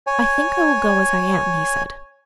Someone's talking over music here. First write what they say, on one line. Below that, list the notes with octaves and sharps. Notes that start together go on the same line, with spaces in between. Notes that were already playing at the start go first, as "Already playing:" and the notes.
"I think I will go as I am," he said.
C#5 G#5